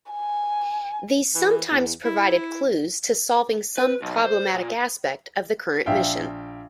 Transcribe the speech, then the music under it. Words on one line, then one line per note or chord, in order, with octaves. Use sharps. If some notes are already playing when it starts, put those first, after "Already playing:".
These sometimes provided clues to solving some problematic aspect of the current mission.
G#5
E3
E2
E4
B4
B1
C5
A#2
A#1 E5 F5 G5